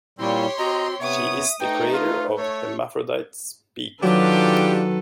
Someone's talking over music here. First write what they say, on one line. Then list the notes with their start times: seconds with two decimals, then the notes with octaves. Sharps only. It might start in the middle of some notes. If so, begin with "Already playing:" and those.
She is the creator of Hermaphrodites Speak!
0.19 A#2 G3 C4 E4 G4 C#5 C6
0.59 C4 F#4 D#5 A#5
1.00 C3 B3 C#5 E5 D#6
1.60 A3 D#4 B4 G5
1.94 F4
2.38 A3 C#5
4.03 D#3 F#3 D4 F4 G4 A4 B4